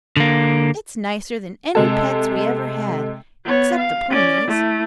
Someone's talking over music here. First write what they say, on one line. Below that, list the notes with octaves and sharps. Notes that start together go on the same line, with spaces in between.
It's nicer than any pets we ever had, except the ponies.
D3 A#3
C3 G#3 A4
B3 C#5
F5
C#4 D5
A3 E4